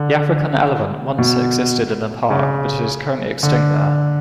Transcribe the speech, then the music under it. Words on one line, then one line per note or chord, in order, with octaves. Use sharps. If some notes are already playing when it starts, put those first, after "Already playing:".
The African elephant once existed in the park but is currently extinct there.
Already playing: D3
B2
C#3
D3